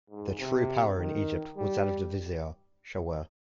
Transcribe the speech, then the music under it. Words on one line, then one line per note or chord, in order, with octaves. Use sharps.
The true power in Egypt was that of the vizier, Shawar.
G#2
C3
D#3
G3